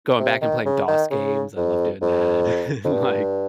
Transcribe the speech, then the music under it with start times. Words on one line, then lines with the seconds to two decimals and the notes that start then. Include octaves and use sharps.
going back and playing DOS games, I love doing that, and, like,
0.20 C3
0.42 D#3
0.65 C#3
0.88 D#3
1.11 C#3
1.57 F2
2.01 F2
2.84 F2
2.93 G2